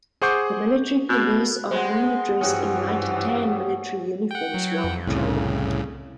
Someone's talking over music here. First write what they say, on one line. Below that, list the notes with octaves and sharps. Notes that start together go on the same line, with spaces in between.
The Military Police are normally dressed in light tan military uniforms while patrolling.
G#4 C5 F#5 C#6 D6 G6
B2
G#3 B3 C4 C5 F#5
G2 E3 F3 C#4 F#4 G4 G5 D#6
F#5 G5
F#3
F2
C2 A2 C#3